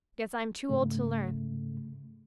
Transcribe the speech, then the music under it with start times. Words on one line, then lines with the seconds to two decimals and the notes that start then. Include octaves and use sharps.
Guess I'm too old to learn.
0.69 G#2 C#3 A3